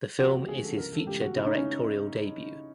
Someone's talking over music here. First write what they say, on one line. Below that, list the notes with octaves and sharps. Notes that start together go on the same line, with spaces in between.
The film is his feature directorial debut.
F3 F#4
D#2 G4
D3 G#4
F3 A4
C#2 A#4
E3 A4
C#2 G4
C#3 F#4
C#3 E4
D#4
C#4